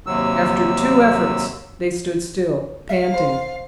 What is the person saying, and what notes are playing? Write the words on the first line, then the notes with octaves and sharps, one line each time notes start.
After two efforts, they stood still, panting.
D#2 C3 F#3 E6
E5 F5
C5